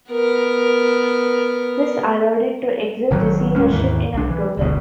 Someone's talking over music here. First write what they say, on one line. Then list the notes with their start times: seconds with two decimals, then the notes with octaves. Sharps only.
This allowed it to exit receivership in October.
0.11 B3 A#4
3.11 A1 D#3 F#3
3.56 D#1 G#3 C#4
3.72 D#2 G#2 D#3 E3
4.14 B1 D4
4.30 E3
4.57 F#1 D2 B2